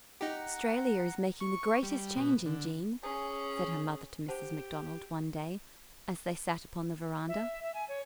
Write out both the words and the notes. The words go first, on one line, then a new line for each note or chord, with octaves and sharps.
"Australia is making the greatest change in Jean," said her mother to Mrs. McDonald one day, as they sat upon the veranda.
D#4 G4 F#5 A#5
C#6
G3
B2
D3
C#4 G#4
G4 C5 F#5 A5
E5
E5
G#5
C#5